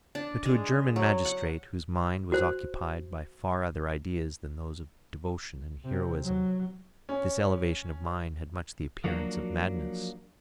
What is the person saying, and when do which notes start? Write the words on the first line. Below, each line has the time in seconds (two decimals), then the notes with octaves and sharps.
But to a Genevan magistrate, whose mind was occupied by far other ideas than those of devotion and heroism, this elevation of mind had much the appearance of madness.
0.15 D4
0.45 G#3
0.96 F#3
1.25 F#5
2.32 F#4 C5
5.85 C3
6.25 F#3
7.09 C#4
9.04 F3 F#3 A#3 D4 F#4